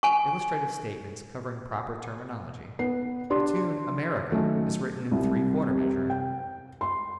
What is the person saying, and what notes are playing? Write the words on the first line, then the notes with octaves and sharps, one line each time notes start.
Illustrative statements covering proper terminology: the tune "America" is written in three-quarter measure.
G#5 C#6
B3 B4 F#5 C7
D4 G4 D5 C6
D#3 F#3 A3 C#4
C2
C3
G5
C6